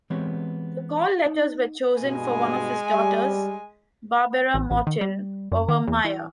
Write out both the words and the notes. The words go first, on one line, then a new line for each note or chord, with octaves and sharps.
The call letters were chosen for one of his daughters, Barbara Morton Overmyer.
E3 G#3 B3 C4 G4 C#5
D#4
G2 B2 G#3 G#5
G3
A1
A1
D#3
G3
F#2
D#3
E2
E3